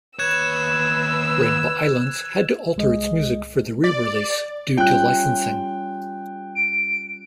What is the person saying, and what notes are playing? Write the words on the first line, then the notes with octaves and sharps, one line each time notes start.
"Rainbow Islands" had to alter its music for the re-release due to licensing.
D#2 B4 C#5 E6 F#6 G#6 E7
C2 G#3 D#5
D5
G3 C#4 F4 G5 F#6
D7